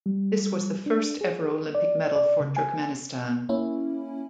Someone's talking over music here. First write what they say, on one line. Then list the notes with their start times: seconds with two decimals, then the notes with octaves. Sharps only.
This was the first ever Olympic medal for Turkmenistan.
0.06 G3
0.86 D4
1.21 G#4
1.75 D5
2.16 D5
2.40 C#3
2.57 G#5
3.49 A#3 C#4 E4